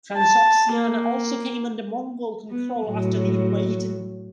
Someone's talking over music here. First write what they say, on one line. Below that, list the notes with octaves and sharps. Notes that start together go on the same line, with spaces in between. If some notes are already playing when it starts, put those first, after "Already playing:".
Transoxiana also came under Mongol control after the invasion.
A5
A#3
B3
A2 F#3